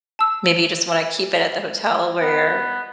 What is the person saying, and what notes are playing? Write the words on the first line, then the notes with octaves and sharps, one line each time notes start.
maybe you just wanna keep it at the hotel where you're
A5 E6
B3